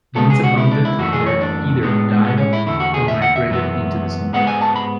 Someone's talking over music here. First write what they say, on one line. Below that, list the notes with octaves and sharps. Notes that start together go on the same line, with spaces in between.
Once abundant, they either died off or migrated into the Central Valley.
C#2 C#3 G#3 B3 A4
G#4
F#4
E4
D4
E4
F#2 E3 A3 F#4
G#4
C#5
D4
A2 G#3 B3
B3
C#4
E4
E2 D3 A3 E4
F#4
G#4
E5
F#5
E5
F#2 E3 B3
G#2 G#3 B3 F#5
G#5
A5
B5